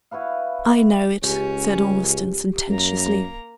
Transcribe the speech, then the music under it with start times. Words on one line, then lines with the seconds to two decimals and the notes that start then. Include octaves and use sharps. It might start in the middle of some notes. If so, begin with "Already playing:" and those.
"I know it!" said Ormiston, sententiously.
0.11 E4 F#4 B4 F5
1.23 C#2 C#4 G4
2.68 F#2 A#3 A#5